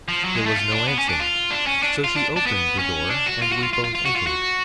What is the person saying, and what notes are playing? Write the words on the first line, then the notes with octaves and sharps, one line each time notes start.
There was no answer; so she opened the door, and we both entered.
F3
F#3
G#3
A3
F4
D4
B3
C#4
D4
F4
D4
C#4
D4
F4
D4
D4
B3
C#4
D4
F#4
F4
F#4
F4
F4
F4
F4
F#4
F4
F#4